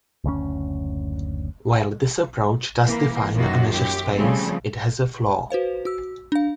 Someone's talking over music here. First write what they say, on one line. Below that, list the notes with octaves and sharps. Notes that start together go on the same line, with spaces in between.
While this approach does define a measure space, it has a flaw.
F#1 D2 C3 C#4
E3 A#3
F#2 D#3 A#3 F4 F#4
F#2 G4
C#3 F3 G3 A3 C4
F#4 B4 C5 F5
F#4 E6
D4 F5